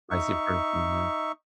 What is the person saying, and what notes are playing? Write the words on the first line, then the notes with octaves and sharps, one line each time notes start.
spicy person. Yeah.
D#4 E5 C#6